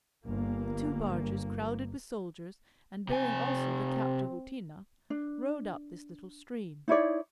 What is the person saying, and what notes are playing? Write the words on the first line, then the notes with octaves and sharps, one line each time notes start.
The two barges, crowded with soldiers, and bearing also the captive Outina, rowed up this little stream.
G1 A#3
C3 C4 G#5
D4
D#4 E4 C#5 D5